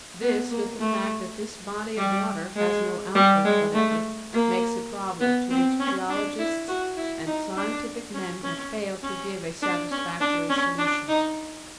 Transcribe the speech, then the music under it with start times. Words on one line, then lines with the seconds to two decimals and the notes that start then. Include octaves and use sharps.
This, with the fact that this body of water has no outlet whatever, makes a problem to which geologists and scientific men have failed to give a satisfactory solution.
0.21 B3
0.51 A#3
0.80 A3
1.97 G3
2.56 G#3
3.15 G3
3.45 G#3
3.74 A3
4.33 A#3
5.21 B3
5.50 C4
5.80 C#4
6.10 D4
6.39 E4
6.68 F#4
6.97 E4
7.26 D#4
7.57 D4
8.14 C#4
8.44 C#4
9.03 C#4
9.62 D4
9.91 C#4
10.21 D4
10.50 C#4
10.79 D4
11.09 D#4